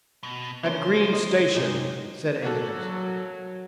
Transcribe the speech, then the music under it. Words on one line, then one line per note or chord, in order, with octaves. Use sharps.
"At Green's Station," said Andrews.
B2
C#3 F3 A#3 D4 C5 C#5 C6
D#2 D4 D5 D#5
C3 G#3 A#3 C#4 D#4 G#4
F#3 A#3 F#4 A4